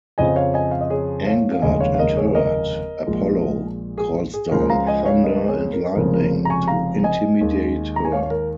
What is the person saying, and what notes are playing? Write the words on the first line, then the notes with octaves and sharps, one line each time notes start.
Angered and hurt, Apollo calls down thunder and lightning to intimidate her.
F2 C#3 F3 D#5 G#5
C#5 F5
D#5 G#5
F5
D#5
G#4 C#5
C#5 F5
F5
F1 D#2 C#3 G#3 D#5 G#5
C#5 F5
F5
A#4 D#5
G#4 C#5
A#4 D#5
A#1 A#2 G#3
G#4
G#4
C#2 C#3 F3 G#3 A#4
F5 A#5
D#5 G#5
C#5 F5
A#4 D#5
G#4 C#5
A#4
F1 F2 C#3 F3 G#3 A#4
A#4
A#5
G#5 C#6
F5 A#5
D#5 G#5
D#2 D#3 G#3
A#5
G#5
C#5 F5
C#5
A#4